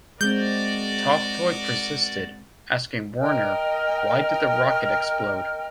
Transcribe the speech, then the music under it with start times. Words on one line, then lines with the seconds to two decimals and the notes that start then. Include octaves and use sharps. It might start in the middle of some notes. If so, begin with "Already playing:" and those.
Toftoy persisted, asking Werner, why did the rocket explode?
0.21 G#3 C4 F#4 A#4 D5 G6
3.19 A#4 D#5 G5 F6